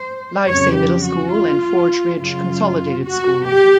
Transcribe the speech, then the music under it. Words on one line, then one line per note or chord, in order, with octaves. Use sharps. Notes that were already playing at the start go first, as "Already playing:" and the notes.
Livesay Middle School and Forge Ridge Consolidated School.
Already playing: C5
F2 C#3 F#3 C#5
G4
F#4
F4
F#2 C#3 F#3 F4
F#4
G4